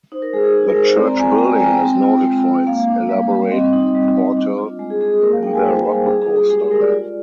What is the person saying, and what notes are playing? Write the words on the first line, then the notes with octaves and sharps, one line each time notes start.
The church building is noted for its elaborate portal in the Rococo style.
D#4 C5
A#4
G#3 G#4
G#4
D#4 A#4
A#4
G#3
C5
C4 D5
A#5
F4 G#5
G5
G#3 G#5
A#5
G#3 G#5
G5
C4
F4
G#3
G#3
A#3 F5
D4
G3
G3
C4 D#5
D#4
G3
G3
D4
F4
G#3
G#4
G#3 G#4
G#4
A#3 A#4
F5
D#4 G5
G#5
G3 C5
G3
D4 G#4
G#4
F4
G#4
G#3 G4
G#4
G#3 A#4
D5
F4